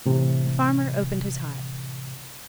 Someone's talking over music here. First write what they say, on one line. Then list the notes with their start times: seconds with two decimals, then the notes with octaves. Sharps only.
The farmer opened his hive.
0.06 A2 C3 E3